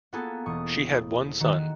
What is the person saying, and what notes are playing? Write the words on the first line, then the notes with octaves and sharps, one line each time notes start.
She had one son.
A#3 B3 F4 F#4 G#4 A4
E1 C#6 D#6
D#3 F#4